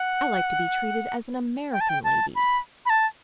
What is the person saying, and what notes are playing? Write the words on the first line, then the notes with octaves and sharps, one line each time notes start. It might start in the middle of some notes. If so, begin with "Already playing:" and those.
"I like to be treated as an American lady."
Already playing: F#5
G5
A5
G5
A5
B5
B5
A5